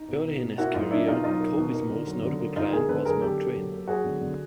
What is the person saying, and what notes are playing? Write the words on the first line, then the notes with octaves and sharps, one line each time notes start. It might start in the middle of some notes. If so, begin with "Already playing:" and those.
Earlier in his career, Colby's most notable client was Mark Twain.
Already playing: D#4
B2
B2
B2
A#3 E4 F#4
F#3 D#4 F4
A#3 D4 E4
B2 D#4 F4
F#3 D#4 F4
A#3
B2
A#3
D3
F#3
D3
A#3
A#3 D#4 F4
D3 G#4 A#4
D3 A4 B4
F#3 G#4 A#4
D3 G4 A4
A#3
F#3
A#3
F#3 F#4 G#4
D3
D3